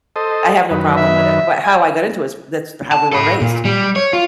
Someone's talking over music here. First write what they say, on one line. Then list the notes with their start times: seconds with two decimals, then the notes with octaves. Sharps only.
I have no problem with it. But how I got into it is that's how we were raised.
0.16 A4 C5 D#5
0.71 F#2 D#3 B4
0.97 E5
1.64 G#5
2.92 A5
3.13 A4 B5
3.41 A#2
3.65 G3
3.96 C#5
4.13 F4